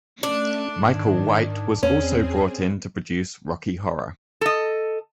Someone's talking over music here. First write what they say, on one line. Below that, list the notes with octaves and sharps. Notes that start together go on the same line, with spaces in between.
Michael White was also brought in to produce "Rocky Horror".
A3 C#4 D4
G#2 D#3
E2 C4 C#4 G#4
A4 D#5